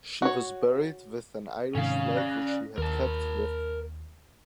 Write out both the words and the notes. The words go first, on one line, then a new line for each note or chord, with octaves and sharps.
She was buried with an Irish flag which she had kept with her.
F#4 C#5
G#2 C3 D#3 C#4 F5
D5 F#6 A#6
D#2 A#4 A5